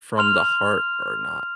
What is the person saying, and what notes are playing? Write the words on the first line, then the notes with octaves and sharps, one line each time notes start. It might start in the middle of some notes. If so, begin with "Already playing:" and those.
from the heart or not,
C6 F6 F7